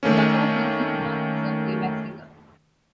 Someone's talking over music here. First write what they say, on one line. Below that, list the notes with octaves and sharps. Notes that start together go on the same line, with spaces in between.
His daughter Tulsi Kumar is a playback singer.
D#3 A3 A#3 C#4